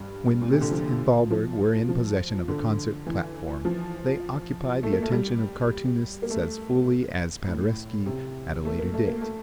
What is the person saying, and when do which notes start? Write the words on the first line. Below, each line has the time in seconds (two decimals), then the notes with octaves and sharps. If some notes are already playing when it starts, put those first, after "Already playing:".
When Liszt and Thalberg were in possession of the concert platform, they occupied the attention of cartoonists as fully as Paderewski at a later date.
Already playing: G2
0.41 A#2
0.51 C3
0.61 D3
0.71 F3
1.30 F3
1.89 F3
2.48 D3
3.06 E3
3.65 F3
4.83 A3
4.92 A#3
5.02 A3
5.12 G3
6.22 A#3
6.30 A3
7.47 A2
8.06 C3
8.65 A3
8.79 A#3
8.94 A3
9.07 A#3
9.21 A3